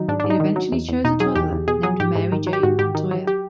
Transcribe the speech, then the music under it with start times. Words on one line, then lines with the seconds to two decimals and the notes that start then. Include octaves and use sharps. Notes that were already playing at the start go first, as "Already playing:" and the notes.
It eventually chose a toddler named Mary Jane Montoya.
Already playing: D#3 F#3 D#4
0.08 G#2 D4
0.20 G#2 D4
0.30 D#4
0.40 D#3
0.56 F#3
0.72 E2
0.89 E2
1.04 B2 D#4
1.20 F#3 G#4
1.35 E2 G4
1.52 E2
1.68 B2 G#4
1.83 F#3 G#4
2.00 G#2 G4
2.16 G#2
2.32 D#3
2.47 F#3
2.53 G4
2.63 G#2 F#4
2.79 G#2 G4
2.95 D#3
3.11 F#3
3.27 G4